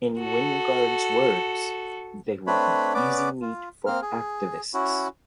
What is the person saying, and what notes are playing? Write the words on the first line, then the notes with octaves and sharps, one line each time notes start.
In Wingard's words, They will be easy meat for activists.
F#4 A4
A3 C4 D4 B4 C#5 B5
B3 C#4 B4 D5 D6
F4
A#3 C4 F6
G#4
C#4 E4 F#4